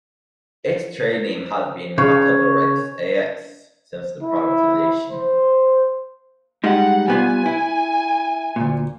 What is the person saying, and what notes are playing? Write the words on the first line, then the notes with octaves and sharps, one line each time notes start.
Its trade name has been Matadorex, a.s. since the privatization.
C#3 C#5
E4
C5
G3 G#3 D#4 F#5
G3 B3 F4 G#5
E4
D2 A#2